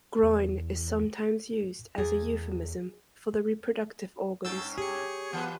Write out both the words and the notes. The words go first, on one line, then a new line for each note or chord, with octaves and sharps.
'Groin' is sometimes used as a euphemism for the reproductive organs.
E2
E2 G#4
G2 C#4 E6 G6 A6
G4 G#4 C#5 C#7
E3 B3 F4 B4